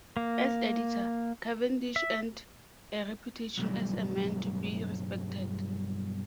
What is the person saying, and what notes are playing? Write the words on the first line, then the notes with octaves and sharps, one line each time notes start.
As editor, Cavendish earned a reputation as a man to be respected.
A#3
E5
B1 G2